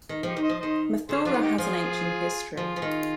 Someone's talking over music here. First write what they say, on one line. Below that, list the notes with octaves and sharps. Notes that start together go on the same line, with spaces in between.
Mathura has an ancient history.
D#3
F3 D#4 G4
D#3
C5 D#5
F3
D#3 C5 D#5
D3 G#4 C5
F3 D4 F4
D#3
D#4 G4
F3 F4 G#4
F3 F4 G#4
F3
D#3